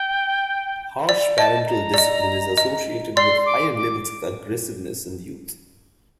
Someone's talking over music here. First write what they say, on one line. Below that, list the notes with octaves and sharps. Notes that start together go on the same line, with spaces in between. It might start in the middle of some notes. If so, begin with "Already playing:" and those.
Harsh parental discipline is associated with higher levels of aggressiveness in youth.
Already playing: G5
D5
D#5 A5
A#5
D5
D#5
D#5
D5 C6
D6
D6